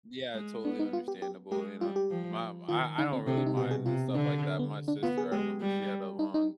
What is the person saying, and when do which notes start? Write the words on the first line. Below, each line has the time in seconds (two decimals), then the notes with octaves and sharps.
Yeah, totally understandable, you know my I I don't really mind stuff like that. My sister, I remember, she had a long
0.34 G#3
0.64 B3 D4
0.79 D#4
0.93 F4
1.08 G4
1.22 G4
1.51 G#3 G4
1.81 G3 F4
1.96 G4
2.10 F3
2.68 D#3 F4
2.98 D3 D#4
3.13 C4
3.27 C3 C4
3.37 D4
3.46 D#4
3.56 B2 G4
3.71 G#4
3.86 C3 F4
4.09 C4
4.15 D3 D4
4.59 B3
4.88 D4
5.03 B3 F4
5.18 G#4
5.32 G#3 G4
5.61 G3
6.19 D#4
6.34 D#4